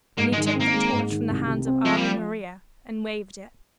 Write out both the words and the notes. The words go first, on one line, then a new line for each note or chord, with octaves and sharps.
Then he took the torch from the hands of Ave Maria, and waved it.
G#2 A#3
G#3
D#3
G#3
A#3 C4
G#3
G#2
D#3
C2
C3
C4
F3 G#3
G3